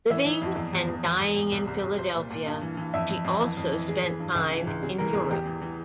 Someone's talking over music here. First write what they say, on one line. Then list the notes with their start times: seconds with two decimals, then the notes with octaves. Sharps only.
Living and dying in Philadelphia, she also spent time in Europe.
0.10 E3 E5
0.25 E3
0.42 F2
0.57 E2
0.73 E2
0.88 E2
1.04 E2
1.20 E2
1.36 E2
1.52 C2
1.67 C2
1.83 C2
1.99 C2 C5
2.15 A#2
2.31 A#2
2.46 G2
2.62 E3
2.77 E3
2.94 F2 E5
3.09 F2
3.25 F2
3.40 E3
3.57 F2
3.72 E3
3.88 E3 G#4
4.03 E3
4.20 G2
4.35 C#2
4.51 E3
4.67 C#2
4.82 C3 G#4
4.98 E3 A#4
5.14 E2 G#4
5.30 E2 G4
5.46 E3
5.62 E3